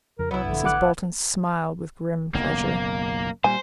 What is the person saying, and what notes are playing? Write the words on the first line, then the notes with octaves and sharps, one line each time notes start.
Mrs. Bolton smiled with grim pleasure.
F2 C#3 A#4
C2 F#3 B3 E4
A#1 G2 D3
A1 F#5 D6 F#6
F#1 B1 A#3
A#2 G3 C5 G#5